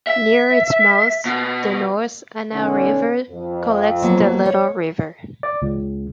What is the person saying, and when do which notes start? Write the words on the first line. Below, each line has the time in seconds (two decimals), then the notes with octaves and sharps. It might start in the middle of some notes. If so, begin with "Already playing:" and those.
Near its mouth the North Anna River collects the Little River.
0.07 E5
1.25 B2
2.53 B1 D3 C#4
3.30 F2
4.02 F#3 A#3 B3
4.46 C#5
5.43 D5
5.62 C#2